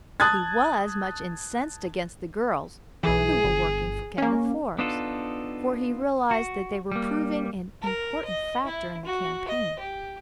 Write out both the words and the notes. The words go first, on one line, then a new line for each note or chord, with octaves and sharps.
He was much incensed against the girls who were working for Kenneth Forbes, for he realized that they were proving an important factor in the campaign.
A5 D#6 F#6 G#6 A6
B1 E3 G#4
G1
A#3 C#4
B3 D4 D#4 F4 A4
F#4
G3 A#3
A#4
D#5
E4
F#4
D#5
G4